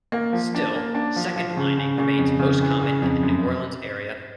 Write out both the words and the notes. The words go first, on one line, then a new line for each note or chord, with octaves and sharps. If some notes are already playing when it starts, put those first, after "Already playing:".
Still, second lining remains most common in the New Orleans area.
A#3
F3
D4
A#3
D4
F3
F3
C#3
C#3
C#3
F2
C#3
E3
C#3
F2
F#2